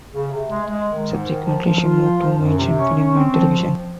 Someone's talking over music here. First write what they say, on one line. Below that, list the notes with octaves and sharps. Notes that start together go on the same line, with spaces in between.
Subsequently, she moved to mainstream film and television.
C#3
C3
G#3
G#3
D#3
G#2
D#3
F3
F3
F4
F3
F3
F#2
C3
C#4
C#4
C4
F3